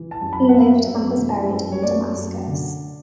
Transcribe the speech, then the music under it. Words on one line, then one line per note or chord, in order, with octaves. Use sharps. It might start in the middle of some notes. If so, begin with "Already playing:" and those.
He lived and was buried in Damascus.
Already playing: E3
A5
F#2
B5
F#5
B3 E5
F#2
E3
F#2
C#5
A3 D5
F#2
D3